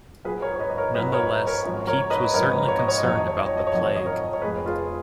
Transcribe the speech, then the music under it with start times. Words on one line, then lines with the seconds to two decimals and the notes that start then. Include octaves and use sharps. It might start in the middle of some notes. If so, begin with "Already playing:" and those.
Nonetheless, Pepys was certainly concerned about the plague.
0.25 B1 A#2 F#3 G#4 B4
0.42 A#4 C#5
0.55 C#5
0.59 B4 D#5
0.70 D#5
0.78 A#4 C#5
0.94 B1 A#2 F#3 B4 D#5
1.12 A#4 C#5
1.47 A#4 C#5
1.65 G#1 F#2 F3
1.87 A#4 C#5
2.10 B4 D#5
2.34 G#1 F#2 F3 A#4 C#5
2.68 C#5
2.79 D#5
2.88 C#5
2.98 D#5
3.04 F2 D#3 F#3 C#5
3.18 D#5
3.27 C#5
3.37 D#5
3.47 C#5
3.57 D#5
3.67 C#5
3.72 F2 D#3 F#3 D#5
3.85 C#5
3.96 D#5
4.06 A#4 C#5
4.33 C#5
4.42 F1 F2 F3 G#4 B4
4.66 F4 G#4